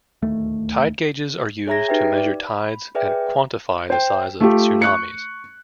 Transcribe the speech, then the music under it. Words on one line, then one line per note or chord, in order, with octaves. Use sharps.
Tide gauges are used to measure tides and quantify the size of tsunamis.
D1 D#2 A3
G#4 C#5 E5 A#5 G#6 A#6
D#4 G4 B4 E5 G5
D5
B5
G#4 B4 D5 E5 G5
C5 G5
A3 F4 G4
C#6 F#6 C#7